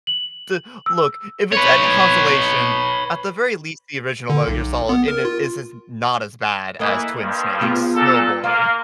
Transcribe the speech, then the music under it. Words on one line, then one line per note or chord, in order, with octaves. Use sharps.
D Look, if it's any consolation, at the very least, the original Metal Gear Solid, in it is is not as bad as Twin Snakes. Oh, boy.
F#7
E6
B4 C#5
D3
B1
B3
A#4
F4
E3 A#3 D#5
G2 F3
B3 F4 G#4
A#2 A4
A#3 F4 F5